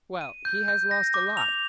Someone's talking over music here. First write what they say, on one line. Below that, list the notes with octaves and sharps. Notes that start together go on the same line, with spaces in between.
Well;--he has lost a lot.
D#7
G6
G6
A#6
D6
F7